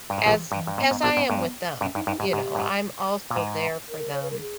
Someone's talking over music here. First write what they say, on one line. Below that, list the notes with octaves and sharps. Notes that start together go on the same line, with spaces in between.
as as I am with them, you know, I'm also there for them,
G2
G#2
A#1 A#2 E3
G2 E3
G2
G#2 B3
G#2
A#1 A#2
G#2
G2
G2 C#4
G2 D#4
G2 D#4
G#2 G4
G#2
G2
G#2
A#2
G#2
A#4
C#5
B4
A#4
G#4